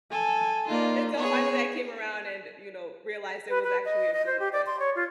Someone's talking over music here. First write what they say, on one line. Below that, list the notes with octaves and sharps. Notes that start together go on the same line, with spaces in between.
Until finally, I came around and, you know, realized it was actually a group, but
A4 G#5
A#3 D#4 F4 D5
B3 G#4 C#5
B4
B4
D#5
D#5
C5
G4
D5
C6
C#5
F4